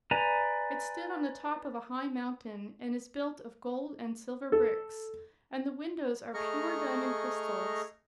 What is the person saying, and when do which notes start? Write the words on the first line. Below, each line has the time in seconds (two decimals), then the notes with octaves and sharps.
It stood on the top of a high mountain and is built of gold and silver bricks, and the windows are pure diamond crystals.
0.11 B4 D5 G#5 A#5
4.52 A4
6.34 A3 G#4 D#5 A#5 C#6 F6